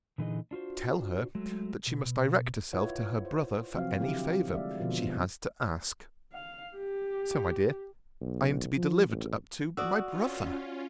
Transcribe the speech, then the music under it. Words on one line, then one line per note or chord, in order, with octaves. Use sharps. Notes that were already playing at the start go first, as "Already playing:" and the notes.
Tell her, that she must direct herself to her brother for any favour she has to ask.--So, my dear, I am to be delivered up to my brother!
A#2 D3 E3 D#4 G#4 D#5
D4 F4 F#4 C5
F#3 G#3 A3
B2
E4 F4 B4 C#5 F#5
C5
C3 F3 F#3 C4 F#4 F5
D3 F#3 C4 E4 G4 F5
G#3 A3 D5 E5 F5
B2 D3 F3 F4 B4
F5
G4
B1
F3
A1
F#4 D5 D#6 E6
C#4 F4